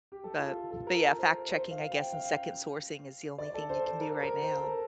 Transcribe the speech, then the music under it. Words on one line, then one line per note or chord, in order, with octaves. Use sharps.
but but, yeah, fact checking, I guess, and second sourcing is the only thing you can do right now,
G4
A4
F4
A4
A4
A#4
C5
C5
F5
G5
F5
D5
A4
C5
C5
A#4
A#4
C5
A4
A#4